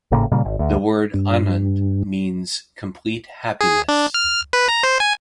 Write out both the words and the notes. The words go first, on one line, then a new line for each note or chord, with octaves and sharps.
The word Anand means complete happiness.
G#1 A2 C#3 A#3
A#2 C#3 G3 A#3
G#1
D2
G2
G#4
D4
F6
B4
A#5
C5
G#5